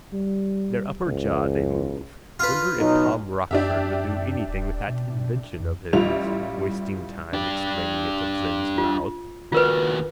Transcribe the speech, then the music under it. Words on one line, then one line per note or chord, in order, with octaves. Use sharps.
Their upper jaw they move. Wonder if Tom Rochford will do anything with that invention of his? Wasting time explaining it to Flynn's mouth.
G3
C#2
F4 B4
B2 F#3 D#4
F#2 D4 G4 E5
D#1
B2
F2
A1 G3 E4 F4 F7
D4 G4
F4
D#2 F4 F#4 A#4 B4